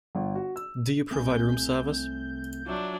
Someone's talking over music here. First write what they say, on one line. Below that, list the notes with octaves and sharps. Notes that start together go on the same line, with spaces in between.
Do you provide room service?
G1
F#4
E6
C2 A3 C4 G#5 G6
F#3 D4 F4 E5